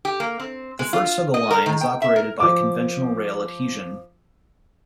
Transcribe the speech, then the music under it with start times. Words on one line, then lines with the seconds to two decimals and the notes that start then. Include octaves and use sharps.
The first of the line is operated by conventional rail adhesion.
0.05 G4
0.20 A#3
0.40 C4
0.79 G#3
0.93 F4
1.34 D#5
1.51 A#4
1.66 D#3
1.81 G5
2.02 E5
2.16 A#4
2.40 F3 D6